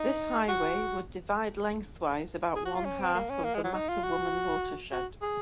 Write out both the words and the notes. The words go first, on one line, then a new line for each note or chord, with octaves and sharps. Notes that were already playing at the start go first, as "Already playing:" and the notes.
This highway would divide lengthwise about one-half of the Mattawoman watershed.
Already playing: D#4
F#4
G#4
F#4
F4
C#4
C4
A#3
C#4
A#3
G#3
F#3
D#4
F4
F#4
F#4
G#4